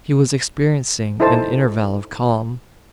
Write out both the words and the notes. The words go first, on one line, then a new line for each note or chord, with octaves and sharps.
He was experiencing an interval of calm.
D#4 E4 A4 C5 A5